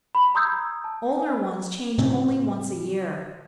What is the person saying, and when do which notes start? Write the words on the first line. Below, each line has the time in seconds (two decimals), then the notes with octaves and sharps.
Older ones change only once a year.
0.15 B5
0.35 A#5 C6 D#6 E6 G6 G#6
0.84 A5
1.14 G#5
1.98 A2 C#3 C4 C#4